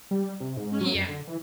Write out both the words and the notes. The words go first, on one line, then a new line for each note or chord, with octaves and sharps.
Mm. Yeah,
G3
C3
G#2
F#3
F#2
D3
E3